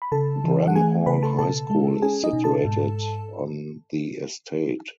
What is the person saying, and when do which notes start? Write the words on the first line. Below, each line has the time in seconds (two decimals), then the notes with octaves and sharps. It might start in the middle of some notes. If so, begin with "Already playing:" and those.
Bramhall High School is situated on the estate.
0.02 B5
0.12 C#3 A4 A5
0.44 E3
0.68 F#5
0.76 A3 G#4 G#5
1.06 C#3 B4 B5
1.23 A4 A5
1.38 B2 A4 A5
1.70 G#3
2.02 C#4 G#4 G#5
2.24 D#4 D#5
2.33 B2
2.44 A4 A5
2.65 G#2